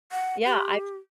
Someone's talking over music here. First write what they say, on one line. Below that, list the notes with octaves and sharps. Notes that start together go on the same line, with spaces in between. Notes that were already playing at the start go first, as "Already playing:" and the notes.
Yeah I've
F#5
G4